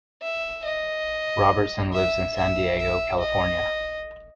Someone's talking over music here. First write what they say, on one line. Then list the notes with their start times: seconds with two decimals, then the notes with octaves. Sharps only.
Robertson lives in San Diego, California.
0.22 E5
0.64 D#5
1.93 E5
2.36 E5
2.78 E5
3.20 D#5